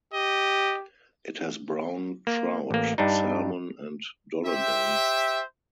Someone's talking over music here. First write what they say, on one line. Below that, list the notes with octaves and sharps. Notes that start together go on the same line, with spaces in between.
It has brown trout, salmon and dollaghan.
G4 D#5
A#3
A1 A#3
G2 D4 D#4
G4 C5 E5